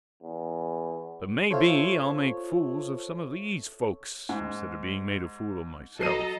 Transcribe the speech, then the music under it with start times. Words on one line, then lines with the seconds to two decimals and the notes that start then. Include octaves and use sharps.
But maybe I'll make fools of some of these folks, instead of being made a fool of myself.
0.23 E2
1.51 F4 A4 C5 C#5 E5
4.29 G#2
6.00 F#3 A4 D#5 A#5 C7 D#7